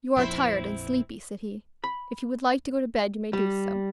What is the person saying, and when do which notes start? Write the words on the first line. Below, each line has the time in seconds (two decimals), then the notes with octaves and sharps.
"You are tired and sleepy," said he; "if you would like to go to bed you may do so."
0.16 A#1 F2 F3 C4 E4 C5
1.84 B5
3.33 G3